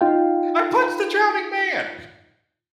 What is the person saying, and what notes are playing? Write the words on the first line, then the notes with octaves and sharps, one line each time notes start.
I punched the drowning man!
D#4 F4 F5 G5